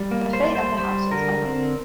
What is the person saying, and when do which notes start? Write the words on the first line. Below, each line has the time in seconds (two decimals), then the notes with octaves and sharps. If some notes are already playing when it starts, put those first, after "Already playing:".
The fate of the house is unknown.
Already playing: G3
0.11 A#3
0.33 C5
0.44 G3
0.55 C5
0.78 G3 C5
1.11 D3 A#4
1.45 C4